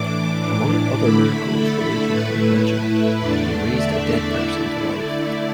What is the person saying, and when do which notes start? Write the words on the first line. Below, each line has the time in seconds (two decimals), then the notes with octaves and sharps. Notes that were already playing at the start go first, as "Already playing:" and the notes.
Among other miracles related in the legend he raised a dead person to life.
Already playing: A2 E3 D4 D6
0.97 D3 A3 E4 B5
1.53 A4
2.08 A2 A3 E4 B4
3.19 E2 D3 A3 D4 D5
3.74 E5
4.29 D3 A3 E4 D5
4.85 D5